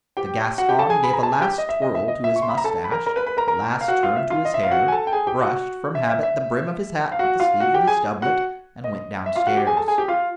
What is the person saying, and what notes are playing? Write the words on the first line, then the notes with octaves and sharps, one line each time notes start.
The Gascon gave a last twirl to his mustache, a last turn to his hair, brushed, from habit, the brim of his hat with the sleeve of his doublet, and went downstairs.
G4 G5
F#4 F#5
G4 G5
A4 A5
G#4 G#5
B5
A#5
A5
G#5
G4 G5
D#5
E5
D#5
E5
D#5
E5
C#6
C6
B5
A#5
A4 A5
B5
A#4 A#5
A#4 A#5
B4 B5
B4 B5
A#4 A#5
A#4 A#5
F5
F#4 F#5
F4 F5
E5
F4 F5
D#5
E5
F5
F#4 F#5
G#5
A4 A5
G5
G#4 G#5
G4 G5
F#4 F#5
E5
E5
E5
F5
F#4 F#5
F4 F5
F#4 F#5
G4 G5
G#4 G#5
F#4 F#5
D#5
E5
F4 F5
F#4 F#5
G4 G5
G#4 G#5
A4 A5
G#4 G#5
G4 G5
F4 F5